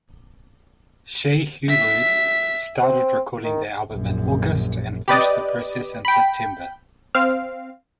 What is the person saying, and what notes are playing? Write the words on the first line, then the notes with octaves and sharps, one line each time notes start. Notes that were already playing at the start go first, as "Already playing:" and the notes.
Shai Hulud started recording the album in August and finished the process in September.
E5 B6
C4
D#3
A#1 F#2
G4 B4 D5 D#5
G5 B5
C4 F5